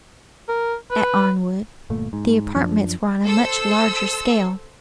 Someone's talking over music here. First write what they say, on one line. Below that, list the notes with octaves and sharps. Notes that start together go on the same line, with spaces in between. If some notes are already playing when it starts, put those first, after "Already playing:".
"At Arnwood; the apartments were on a much larger scale."
A#4
B4
G1 A#2 A3
G#2
F#2 F3 D4
A4 C5 E6